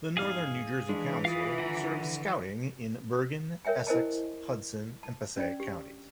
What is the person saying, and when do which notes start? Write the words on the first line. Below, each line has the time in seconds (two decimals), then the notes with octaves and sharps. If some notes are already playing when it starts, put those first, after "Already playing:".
The Northern New Jersey Council serves Scouting in Bergen, Essex, Hudson and Passaic counties.
0.17 B1 E2 G#2 G#4 F5 F6
0.89 E3 G#3 D4
1.25 F4 F5 D#6
1.58 D3 F#5 A#5
3.65 A#4 C#5 E5 G5 G#5
3.87 E4 A#4 C5 D#5 G#5 A5
5.03 A5
5.37 C#4 D4 D5 G5
5.60 G4